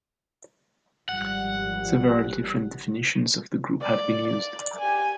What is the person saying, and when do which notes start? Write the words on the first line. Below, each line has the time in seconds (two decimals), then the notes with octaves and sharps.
Several different definitions of the group have been used.
1.09 G#1 F3 G3 F#5
3.81 D5
4.27 D5
4.79 G4 G#5